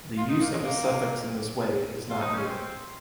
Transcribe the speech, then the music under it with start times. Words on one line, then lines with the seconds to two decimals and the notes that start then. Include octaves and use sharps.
The use of a suffix in this way is not new.
0.17 F4
0.29 D#4
0.40 A#3
0.52 G#3
0.63 A#3
2.10 F4
2.21 D#4
2.34 C#4
2.46 C4